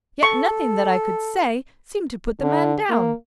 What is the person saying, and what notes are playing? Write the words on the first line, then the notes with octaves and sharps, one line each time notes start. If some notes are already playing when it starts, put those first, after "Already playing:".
Yet nothing that I could say seemed to put the man down.
A4 C#6
D3
A#3